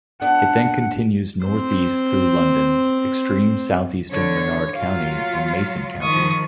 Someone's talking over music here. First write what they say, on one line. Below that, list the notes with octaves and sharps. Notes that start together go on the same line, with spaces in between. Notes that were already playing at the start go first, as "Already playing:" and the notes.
It then continues northeast through London, extreme southeastern Menard County, and Mason County.
B3 D4 F#5
C4 C5
D3 C#5
F#3 F4 F5
D#3 F3 C#6 D#6